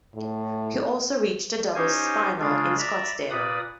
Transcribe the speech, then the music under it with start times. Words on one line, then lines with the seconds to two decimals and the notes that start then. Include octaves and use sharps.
He also reached a doubles final in Scottsdale.
0.16 A2
1.75 C#4 D#4 G4 C5 G#5
2.39 C#3 G#3 D4 F4
2.79 D5 E5 A#5 B5
3.30 A#2 B4 D5 B5 D#6